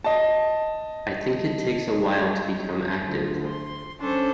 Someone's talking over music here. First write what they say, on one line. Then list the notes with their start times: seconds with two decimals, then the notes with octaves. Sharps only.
I think it takes a while to become active.
0.04 D#5 A5
3.05 D2 F3
3.47 C6
4.00 C#4 D4 A4 C5